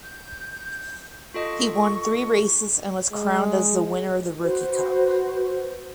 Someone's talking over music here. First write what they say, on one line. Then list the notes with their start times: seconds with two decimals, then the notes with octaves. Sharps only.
He won three races and was crowned as the winner of the rookie cup.
0.04 G6
1.34 F4 A4 D#5 C#6
3.12 G#3
4.41 F#4 B4 C5